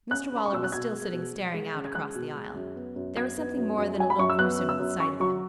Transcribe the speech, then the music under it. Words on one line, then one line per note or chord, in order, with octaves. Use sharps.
Mr Waller was still sitting staring out across the aisle. There was something more than a little gruesome in the sight of him.
C#4 F#6
C#4 B5
C#6
B2 E6
F#6
B2 G#6
G#3
B2
B2
G#3
C#4
G#6
G#3 F#6
B2
G#3
F#2
B3
F#2
F#2 G#6
B3
F#2
F#2
F#3 G#5
B5
F#2 C#6
E6
B3 F#6
F#2
E6
F#2
C#4 C#6
F#3 C#6